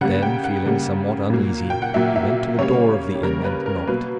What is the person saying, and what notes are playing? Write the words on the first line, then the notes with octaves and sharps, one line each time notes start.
Then, feeling somewhat uneasy, he went to the door of the inn and knocked.
C#3 G3 A#3 F#5
G5
F#5
C#3 G3 A#3
A#2 F#3 A#3
G5
F#5
A#2 F#3 A#3 E5
E5
C#3 G3 A#3 C#5
G4
C#3 G3 A#3 A#4
B4
A#4
B2 F#3 A#3 B4